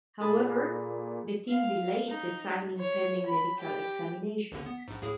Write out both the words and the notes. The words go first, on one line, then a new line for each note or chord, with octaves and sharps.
However, the team delayed the signing pending medical examinations.
A#2 G#4 A4 B5
F5
D#4
C#5
B5
G4
A#1 D#2 D3
B3
A#1 G#2
D#2 A2 G#4